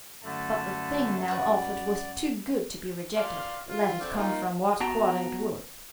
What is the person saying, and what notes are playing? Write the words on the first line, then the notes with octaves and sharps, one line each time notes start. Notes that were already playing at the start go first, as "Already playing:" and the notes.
But the thing now offered was too good to be rejected, let it come from what quarter it would.
F#2 D3 A3 E4 A5
F#4 B4 D5
D5 F5 C6
F4
D3 C4 D5
A#3 D#4 F4
B3 F#4 G5 A5 A#5